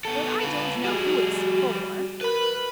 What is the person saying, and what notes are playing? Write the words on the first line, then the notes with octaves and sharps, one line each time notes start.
Well, I don't know who it's for!
B3 A4
F4 B4
G3 F#4 G#4
A#4 B4 B5